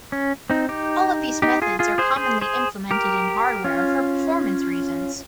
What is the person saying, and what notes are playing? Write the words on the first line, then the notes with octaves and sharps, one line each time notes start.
All of these methods are commonly implemented in hardware for performance reasons.
C#4
C4 D#4
D#4 G4
D#4 G4
F4 G#4
F4 G#4
G#4 C5
G#4 C5
G#4 C5
G4 A#4
C#4 F4